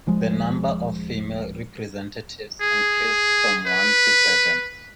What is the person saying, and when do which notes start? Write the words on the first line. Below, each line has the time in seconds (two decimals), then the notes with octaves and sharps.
The number of female representatives increased from one to seven.
0.06 D#1 F3 G#3
2.61 G#4
3.66 B4